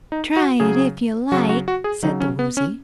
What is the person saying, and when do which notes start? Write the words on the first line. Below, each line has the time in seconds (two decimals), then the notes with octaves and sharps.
"Try it, if you like," said the Woozy.
0.12 D#4
0.36 F#4
0.60 C#3 F#3 G#4
1.32 C#3 F#3 F#4
1.49 F#4
1.68 F#4
1.84 G#4
2.03 C#3 F#3 D#4
2.20 C#4
2.39 B3
2.57 C#4